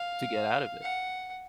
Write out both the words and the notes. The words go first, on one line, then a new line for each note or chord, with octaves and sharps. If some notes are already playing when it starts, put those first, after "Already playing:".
To get out of it.
Already playing: F5
F#5